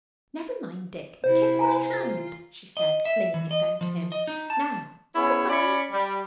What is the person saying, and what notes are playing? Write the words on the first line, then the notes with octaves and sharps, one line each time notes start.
"Never mind, Dick; kiss my hand," she said, flinging it down to him. "Now, good-bye."
C3 E4 C5
G#5 A#5
F4
D#5
E5
E3
D#5
F3
D#5
D#4
A5
B3 C#4 E4 G#4 C#5
C#4 C#5 D5 B5
G3